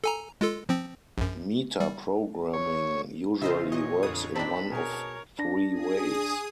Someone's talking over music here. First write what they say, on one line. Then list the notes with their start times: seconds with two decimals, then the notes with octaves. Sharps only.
Metaprogramming usually works in one of three ways.
0.04 A4 G#5 A#5
0.41 G#3 F4 A4
0.69 F3 C4
1.18 A#1 F#2
1.80 G3
2.53 C#5
3.42 C#3 F4 C5 D#5 E5
3.72 A#2 E3 C#5 D#5
4.03 F2 D3 D#6
4.35 C4 D4 D#4 A5 B5
4.72 B2 G#4 A#4 C#5
5.39 D4 A#6
5.71 G#4 D#6